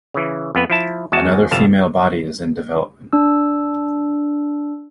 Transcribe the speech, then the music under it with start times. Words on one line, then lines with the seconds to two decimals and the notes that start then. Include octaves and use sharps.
Another female body is in development.
0.14 C#3 E3
0.55 F2 B3 B4
0.70 F3 E4 A5
1.12 E2 G#3 F#4 A5
1.51 G1 C2 F2 F5 A5
3.13 D4 E6